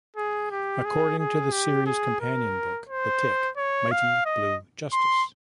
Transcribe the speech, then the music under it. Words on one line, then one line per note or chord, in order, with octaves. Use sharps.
According to the series' companion book, The Tick: Mighty Blue Justice!
G#4
G4
G#4
G#4
G4
G#4
A#4
C5
C#5
F5
D#5
C6